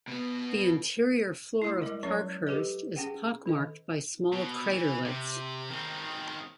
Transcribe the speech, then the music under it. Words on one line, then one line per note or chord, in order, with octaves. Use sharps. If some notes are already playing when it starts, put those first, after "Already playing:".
The interior floor of Parkhurst is pock-marked by small craterlets.
B2 B3
A3 E4
G3 G#3 A#4 D#5
F#3 C#4 C#5 E5
G4 A4 B4 D#5
C#4 G#4 F#5 G5
D#3 A4 D#5
B2
E3
C3
D#3 C4